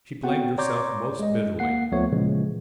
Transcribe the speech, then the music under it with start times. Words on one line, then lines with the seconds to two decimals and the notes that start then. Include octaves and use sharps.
She blamed herself most bitterly.
0.23 B3 C4 F#4 F#5 G5
0.58 C#5 D5 A#5 C6 D6 G6
1.20 G#3 D#5
1.59 A#3 F#5 C7
1.92 D2 F3 A3 B3 C#5
2.12 A#2 C#3 E3 F3 G#3